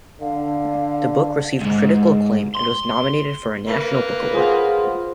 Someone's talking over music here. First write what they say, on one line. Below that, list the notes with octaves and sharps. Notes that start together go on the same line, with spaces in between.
The book received critical acclaim and was nominated for a National Book Award.
D3 F5
C#2 G#2
C6
A#3 B4
F4 G#4 C5 F#5